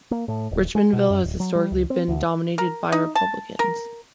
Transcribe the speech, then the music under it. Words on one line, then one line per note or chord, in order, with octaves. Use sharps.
Richmondville has historically been dominated by Republicans.
A#3
A2
D#1
G#3
B2
F#2
D1
F#3
G3
C#2
C4
D2
A#4
D#4
A5
A#4